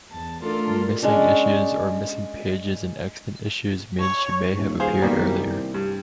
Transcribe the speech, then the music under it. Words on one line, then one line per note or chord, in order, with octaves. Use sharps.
Missing issues or missing pages in extant issues mean she may have appeared earlier.
E2 A5
A3 D4 F4 A4 A#4
G#3 C#4 D4
C#5
D#1
G#4 C5 F5
B2 D#3 G3 A#3
C2
G2